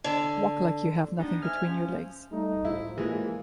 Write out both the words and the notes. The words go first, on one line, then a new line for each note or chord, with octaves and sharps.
Walk like you have nothing between your legs.
D3
G3 B3 D4 D#4
G#2 E5 G#5 F6
F3 C#4
G3 A3 D#4
A2 F3 E4
E3 G#3 A#3